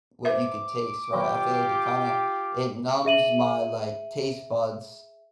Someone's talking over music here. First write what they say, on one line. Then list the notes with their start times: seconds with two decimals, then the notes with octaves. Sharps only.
what you could taste, right, I feel like it kinda it numbs my, like, taste buds
0.25 B4 C5 E5 D6
1.13 D#3 F#3 F4 G4 G5
3.05 G#4 E5 D#7 F#7